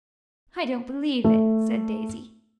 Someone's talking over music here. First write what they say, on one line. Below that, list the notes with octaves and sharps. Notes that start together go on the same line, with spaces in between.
"I don't believe it!" said Daisy.
A3